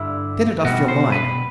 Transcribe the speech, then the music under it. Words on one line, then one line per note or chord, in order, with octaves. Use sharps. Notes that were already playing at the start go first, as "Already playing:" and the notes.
Get it off your mind.
Already playing: G2 D3 G3 E4
B2 G3 F#4
C5
B4